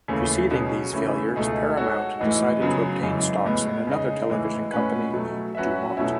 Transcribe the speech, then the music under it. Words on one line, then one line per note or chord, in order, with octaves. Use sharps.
Preceding these failures Paramount decided to obtain stocks in another television company, DuMont.
D#2 C#3 E3 A3
B2 F#3 C#4 G#4
C#3 E3 A3 C#4 E4
C#2 B2 A3 D#4 G#4
G#3 D#4 F#4 A4 C#5
A2 E3 G#3 D#4
F#2 C#3 F#3 B3
F#2 C#3 E3 G#3
A2 G#3 B3
C#3 G#3 D#4
A2 E3 G#3
A2 G#3 C#4 F#4 B4
B2 F#3 A3
F#3 C#4 F#4 B4 E5
B2 F#3 A3 C#4 E4